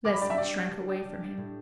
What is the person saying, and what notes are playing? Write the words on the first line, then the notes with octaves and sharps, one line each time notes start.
Leslie shrank away from him.
G3 D6
B5
D4 G4 D5
E5
G3 D5
D4 G4
G3
D4 G4
G3
D4 G4
A2